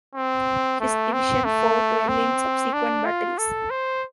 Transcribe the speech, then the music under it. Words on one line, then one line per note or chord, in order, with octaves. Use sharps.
His division fought well in subsequent battles.
C4
A3
C4
A3
C4
D4
F4
A4
C5